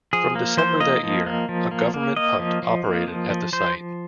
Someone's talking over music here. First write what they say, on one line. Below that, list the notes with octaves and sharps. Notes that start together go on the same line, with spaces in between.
From December that year a government punt operated at the site.
F3 G#4
A#3
F3 C5
A#3 D#5
F3
A#3
F3
A#3
A#3
A#3 D#5
F3
F3
A#3
F3
F3
F3 C5